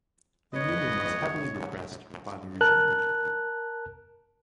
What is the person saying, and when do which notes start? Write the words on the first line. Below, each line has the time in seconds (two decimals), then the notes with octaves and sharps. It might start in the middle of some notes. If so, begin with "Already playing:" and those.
The union was heavily repressed by the regime.
0.54 B4 C#5 D#5
2.61 A#4 A5 F#6